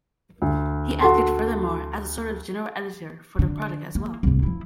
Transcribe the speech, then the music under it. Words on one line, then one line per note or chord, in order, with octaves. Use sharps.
He acted, furthermore, as a sort of general editor for the project as well.
D2
F#4 A4 C6
D3
A#3
C2 G#2
F3 E4